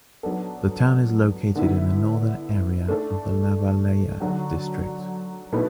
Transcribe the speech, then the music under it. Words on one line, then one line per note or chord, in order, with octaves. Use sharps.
The town is located in the Northern area of the Lavalleja district.
F#3 B3 D4 A4
D3 B3 E4
A3 D4 A4
D3 F#3 D4 F#4
B2 A3 E4 B4